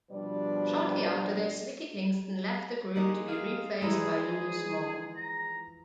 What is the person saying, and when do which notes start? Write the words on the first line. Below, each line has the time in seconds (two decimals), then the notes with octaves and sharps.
Shortly after this Vicky Kingston left the group, to be replaced by Lulu Small.
0.11 B2 F3 G3 D4 B4 D5
2.96 G#3 A#3 D#4 G4 F#5
3.28 G#4 F5
3.82 E3 F3 G#3 D#4 E4 G#4 D5
5.16 A#5